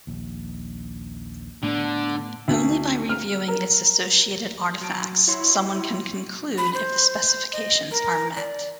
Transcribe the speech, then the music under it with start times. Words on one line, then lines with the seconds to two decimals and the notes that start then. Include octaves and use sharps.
Only by reviewing its associated artifacts, someone can conclude if the specifications are met.
0.07 A#1 D#2
1.63 A2 D3 A3 B3
2.48 D2
3.09 F6
3.48 A#4
4.81 F#3 A5 D7
5.27 E4 F#4 C#5 C6
6.58 B5
6.74 C5
7.53 D#5
7.91 A#4
8.36 D5